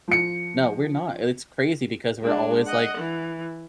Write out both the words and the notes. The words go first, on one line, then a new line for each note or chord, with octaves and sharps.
No, we're not, and it's crazy because we're always like,
F3 C#7
G#3 D4
D#5 F#5
E3